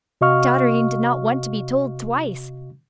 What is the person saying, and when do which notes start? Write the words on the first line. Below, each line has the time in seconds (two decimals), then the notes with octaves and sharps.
Dotterine did not want to be told twice!
0.21 C3 F#4 D#5 F5 C#6 F6